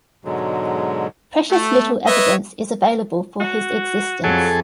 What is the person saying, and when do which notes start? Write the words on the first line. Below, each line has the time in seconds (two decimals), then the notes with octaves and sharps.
Precious little evidence is available for his existence.
0.25 G#2 B2 D3 F#3 G#3
1.51 A3
2.07 B4 C#5 D#5 E5
3.40 F#4
4.24 F2 F#3 G#4 A4